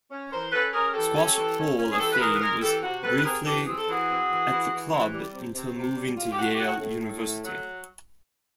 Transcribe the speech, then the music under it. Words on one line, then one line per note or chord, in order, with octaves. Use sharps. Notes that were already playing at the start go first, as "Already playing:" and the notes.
Squash Hall of Fame was briefly at the club until moving to Yale University.
C#4
E3 A#4 C5
C#4 A4 B4
C#4 G#4 A#4
E3 G4 A4
C#4
E3
C#4
C#4
G#4
E3 G4 A4
B4
E3 G#4 A#4
B4
G#3 G#4 A#4
E3 G4 A4
C3 F#4
C3 A4 B4
B4
C4 G#4 A#4
E3 G4 A4
C4 G#4
A4
E3 F#4 G#4
C4
E3
E3
E3
E3
G3
C3
C3
C3
G3
A2 F4
G4
A2 F#4
G4
A2 F#4
A2
A2
A3
F#3